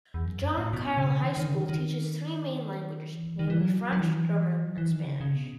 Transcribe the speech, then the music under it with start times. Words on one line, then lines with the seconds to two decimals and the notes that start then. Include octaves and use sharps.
John Kyrle High School teaches three main languages, namely French, German and Spanish.
0.14 E2
0.25 F#2
0.57 A2
0.73 B2
0.97 C#3
1.21 D#3
1.37 D#3
1.47 C#3
1.53 D#3
1.69 D#3
3.13 E3
3.39 D#3
3.50 E3
3.61 F#3
3.93 F#3
4.00 E3
4.07 D#3
4.14 E3
4.64 F#3
4.78 E3
4.91 D#3
5.05 C#3
5.20 C#3
5.36 B2